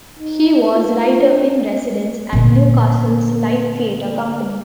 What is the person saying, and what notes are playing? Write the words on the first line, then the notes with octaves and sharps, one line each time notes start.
He was writer-in-residence at Newcastle's Live Theatre Company.
D#4
F4
D4
A#2 D3